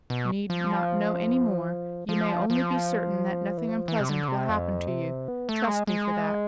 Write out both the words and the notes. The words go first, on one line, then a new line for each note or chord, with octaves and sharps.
You need not know any more: you may only be certain that nothing unpleasant will happen to you; trust me for that.
B2
F3
F3
F3
E3
F3
E3
C3
D3
C3
F2
C3
B3
A3
G#3
G#3